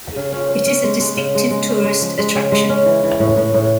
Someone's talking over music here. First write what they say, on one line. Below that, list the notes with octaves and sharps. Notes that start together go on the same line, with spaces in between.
It is a distinctive tourist attraction.
C#3
C#4
C#4
C#4
G#3
G#3
C#3
G#3
G#3
C#4
G#3
F3
G#3
C#3
G#3
C#4
E3
E3
A2
A2
A2